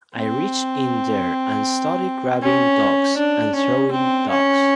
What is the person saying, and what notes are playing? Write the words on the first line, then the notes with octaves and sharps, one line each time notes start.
I reached in there and started grabbing dogs and throwing dogs.
C4
C#4
D4
C#4
C4
C#4